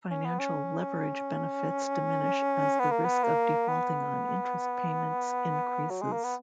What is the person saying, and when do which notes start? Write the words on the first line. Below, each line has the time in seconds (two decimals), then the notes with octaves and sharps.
Financial leverage benefits diminish as the risk of defaulting on interest payments increases.
0.11 C#4
0.25 B3
0.39 C#4
2.79 B3
2.91 A#3
3.04 B3
3.23 A#3
3.68 B3
5.90 F#3
6.02 G#3
6.12 A#3
6.24 B3